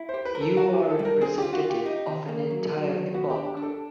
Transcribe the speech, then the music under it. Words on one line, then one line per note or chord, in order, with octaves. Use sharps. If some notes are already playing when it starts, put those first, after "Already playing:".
You are representative of an entire epoch!
Already playing: E4
C5
G4
B4
A#4
A4
F4 F#4
G4
F4
A4
G3
A#4
C4 G#4
G4
F4
F#4
F4
G4
D#4
D#3
A#3
F#3
F#3
D#3
B3 F#4
G4
D4
G4
D4
A4